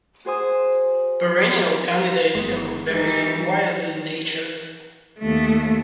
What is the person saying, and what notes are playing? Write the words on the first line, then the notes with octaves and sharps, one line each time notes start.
Perennial candidates can vary widely in nature.
F#4 G#4 C5 G#5 D#6
G1 G#3 B3
E3 G3 D#4
D#2 A3